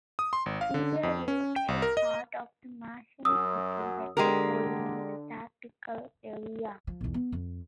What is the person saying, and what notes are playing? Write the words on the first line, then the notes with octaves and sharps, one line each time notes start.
Clear Lake is part of the Mason City Micropolitan Statistical Area.
D#6
C6
G#1
F5
D3
F2
C#4
G5
C2
A#4
D#5
F#2 F#3 D#6 E6
D3 G#3 G4 A#4
F3
B1 E2
B3
F2